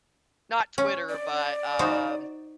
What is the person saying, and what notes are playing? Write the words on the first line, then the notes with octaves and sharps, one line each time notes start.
not Twitter, but, um,
C#4
D5
D#4 F#4 C5